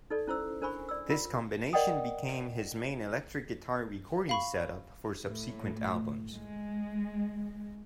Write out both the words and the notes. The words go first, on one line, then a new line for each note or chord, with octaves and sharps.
This combination became his main electric guitar recording setup for subsequent albums.
D#4 A4 D5
C#4 E4 C5 E6
D4 A#4 C5 G#5 B5 C#6
D5 E6
F4 A#4 F#5
A#4 D5 D#5 F#5 G5 D#6
F5 B5 C#6
A2
G#3